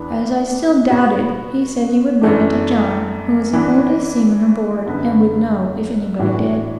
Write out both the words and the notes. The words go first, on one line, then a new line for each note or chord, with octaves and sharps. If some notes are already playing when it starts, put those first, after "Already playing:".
As I still doubted, he said he would leave it to John, who was the oldest seaman aboard, and would know, if anybody did.
Already playing: E2 E3 B3 D4
B2 B3 F#4
F#2 E3 A3 D4
E3 B3 D4
F#2 D3 B3
A2 E3 D4 F#4